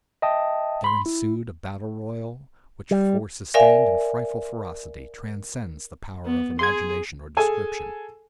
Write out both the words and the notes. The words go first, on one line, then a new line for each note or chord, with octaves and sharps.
There ensued a battle royal which for sustained and frightful ferocity transcends the power of imagination or description.
D#5 E5 G5 A5 D#6
B5 C6
E4
G3
A#4 D5 E5 F5 G#5
B3
G#4 C6 G#6
G#4 A4 G#5